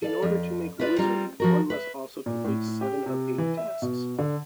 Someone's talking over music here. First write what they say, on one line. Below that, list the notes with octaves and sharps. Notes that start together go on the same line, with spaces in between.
In order to make Wizard, one must also complete seven of eight tasks.
A4 D5 F5
F2
E4 F4 B4 C#5 D5
G3 C4 F4 A#5
F3 F#4 A#4
B4 E5
A#2
A2
G4
C3
E3
E5
B2
D3